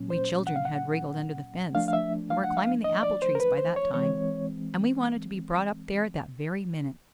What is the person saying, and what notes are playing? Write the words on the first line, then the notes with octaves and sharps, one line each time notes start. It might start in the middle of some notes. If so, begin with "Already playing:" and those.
We children had wriggled under the fence, and were climbing the apple trees by that time, and we wanted to be brought up there that very minute.
Already playing: A#2 F#3 A#3 C#4
C5
F#5
F5
F#5
F3 A3 D4 F5
F5
E5
F5
F#5
F5
D#5
D5
C5
A#4
B4
C5
C#5
E3 G#3 C4 C#5